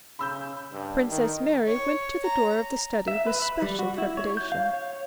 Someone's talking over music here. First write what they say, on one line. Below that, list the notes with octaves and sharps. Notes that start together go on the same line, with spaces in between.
Princess Mary went to the door of the study with special trepidation.
C#3 B5 E6 G6
G2
D#3
C#5
A#5
E5
B4
B5
G3
F#4
E4
C#5
G6
F5
C#5